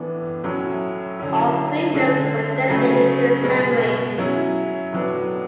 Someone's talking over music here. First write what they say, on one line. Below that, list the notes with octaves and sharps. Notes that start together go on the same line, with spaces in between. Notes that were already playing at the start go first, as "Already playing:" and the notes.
All three films were dedicated to his memory.
Already playing: A2 E3 B3 D4
A2 F#3 C#4 E4
D3 F#3 C#4 E4
D3 G#3 C#4
C#3 F#3 A3
B2 G#3 B3
F#3 C#4 E4
A2 F#3 B3 D4